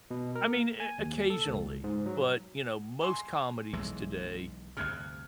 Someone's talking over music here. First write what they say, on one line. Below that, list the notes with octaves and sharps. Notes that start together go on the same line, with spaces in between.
I mean, eh eh occasionally, but, you know, most comedies today,
B2
A#4
A#3
G#5
D#2
A4
C#2
G#2
F#3
G#5 C6
B1 E3 G#3
D2 G2 C3 F6 F#6 G#6